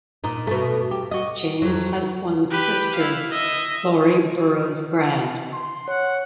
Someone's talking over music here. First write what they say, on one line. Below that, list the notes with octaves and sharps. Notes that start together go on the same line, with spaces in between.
James has one sister, Laurie Burrows Grad.
A#2 D#4
B2 A3
G4
F#4 D#5
F2 F#3
G4 B4
E4 F5
D#5 E5
C6
C#5 F#5